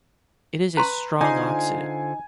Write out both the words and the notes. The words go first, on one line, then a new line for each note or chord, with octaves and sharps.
It is a strong oxidant.
B4 A#5 C6
D3 D#4 F4 C5 G#5